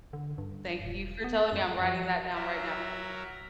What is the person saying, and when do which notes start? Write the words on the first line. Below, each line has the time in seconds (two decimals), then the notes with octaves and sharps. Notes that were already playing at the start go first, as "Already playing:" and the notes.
Thank you for telling me, I'm writing that down right now.
0.13 D3
0.38 G2
0.86 E1
1.24 B3
1.52 F#2
1.82 F3
2.35 F#3 A#4 E5